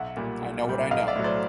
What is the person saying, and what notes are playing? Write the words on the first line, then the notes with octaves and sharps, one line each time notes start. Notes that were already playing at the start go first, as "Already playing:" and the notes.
I know what I know.
Already playing: B1 E5 F#5
A#2 G3
B1
A#2 G3
B1 D#5 F5
D5 E5
A2 F#3
C5 D5